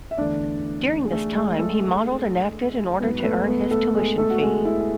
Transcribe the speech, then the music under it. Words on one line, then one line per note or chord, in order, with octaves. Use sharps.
During this time, he modelled and acted in order to earn his tuition fee.
E5
E2 D3 A3 D4 D5
G#4
A3 A4
G#3 G#4
A3 A4
G#2 F#3 A3 B3 B4
B4
A3 A4
B3 B4
A3 A4
G#3 G#4
A3 A4
F#4
G#3 G#4
E4
G#4